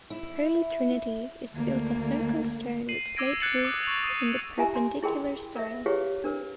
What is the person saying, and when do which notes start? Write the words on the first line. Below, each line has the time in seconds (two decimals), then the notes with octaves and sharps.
Holy Trinity is built of local stone with slate roofs in the Perpendicular style.
0.10 E4
1.54 D2 A#3
2.89 C7 D#7 F#7
3.16 D6 E6 G#6 A#6 D7 D#7
3.40 F#6 G#6 A6 C#7 E7 F#7
3.65 D6 D#6 F#6
3.83 C#6 F7
4.03 D#6 C7 D#7
4.58 E4 G4 E5 G#5 A#5
4.74 A#5 C6
5.03 E4 G#4 A#4 G5 B5 C6
5.55 A#4 E5
5.86 E4 G4 G#4 B4 C#5 F5
6.24 D4 A#4 B4